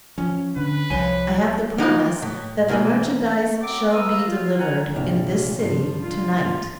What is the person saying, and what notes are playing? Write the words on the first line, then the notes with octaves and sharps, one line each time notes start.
I have the promise that the merchandize shall be delivered in this city to-night.
F3 C#4
D3 B4
C2 F3 C#5 G#5
E3 D#4 F4 D#5
A2
B1 E3 A#3 G#5
F#3 C4 D6
B4 F5 A#5 D#6 E6
F4
D#2 A#4 F#5 G#5 A#5
A#1 C3 E3 F5
G2 F3 C7
F4